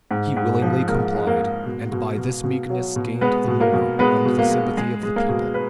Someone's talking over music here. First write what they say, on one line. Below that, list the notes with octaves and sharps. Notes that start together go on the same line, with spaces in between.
He willingly complied; and by this meekness gained the more on the sympathy of the people.
G#2
G#2
F3
G#3 A#3 A#4
G#3
A#3 A#4
G#3
B2
B2
B2
B2
F#3
B2
G#3 B3 B4
B2
A#3 A#4
B2
G#3 B3 B4
B2
A#3 A#4
G#3
G#3 G#4
G#3
A#3 A#4
B2
B4